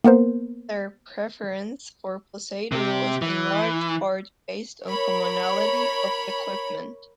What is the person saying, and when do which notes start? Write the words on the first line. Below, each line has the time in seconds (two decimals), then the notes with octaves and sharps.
Their preference for Poseidon was in large part based on commonality of equipment.
0.04 A#3 B3 A#4 C5
2.72 C3 G4
3.22 E3
4.86 A#4 C#5 B5